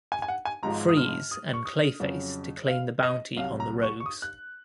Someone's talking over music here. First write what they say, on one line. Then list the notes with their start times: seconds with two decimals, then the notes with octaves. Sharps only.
Freeze and Clayface to claim the bounty on the Rogues.
0.12 G#5
0.22 G#5
0.28 F#5
0.45 G#5
0.63 G#1 G#2 F3 G#3 A#5
0.89 D#6
0.97 F6
1.31 D#6
1.54 C#6
1.65 D#6
2.00 F2 C#3 F#3
2.68 F5
3.03 D#5
3.36 C2 C3 F#3 F5
3.60 A#5
3.83 C#6
4.00 C#6
4.06 D#6
4.22 F#6